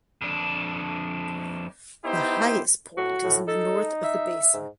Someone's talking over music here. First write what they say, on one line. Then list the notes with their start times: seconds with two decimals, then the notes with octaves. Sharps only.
The highest point is in the north of the basin.
0.21 F2 D4
2.05 B3 D#4 E4 G4 C5
2.97 A2 F#4
3.23 A2
3.47 D#4 A4
4.04 E5
4.53 G#2